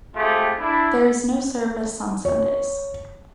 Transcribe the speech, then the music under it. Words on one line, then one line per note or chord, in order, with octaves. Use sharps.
There is no service on Sundays.
G#3 A3 C4 F4 G4 G#4
D4 E4
C#5